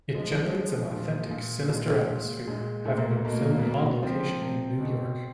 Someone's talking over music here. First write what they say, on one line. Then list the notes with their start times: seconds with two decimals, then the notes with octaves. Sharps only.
It generates an authentic sinister atmosphere, having been filmed on location in New York.
0.14 F3 G#3
0.53 F3
0.92 A#2
1.31 A#2
1.69 A#2 G#3
2.08 A#2
2.47 A#2 G#3
2.85 A#2 A3
2.97 A#3
3.11 A3
3.25 B2 A#3
3.51 A#3
3.58 B3
3.63 B2 A#3
4.02 F3 C4
4.42 C3
4.80 B2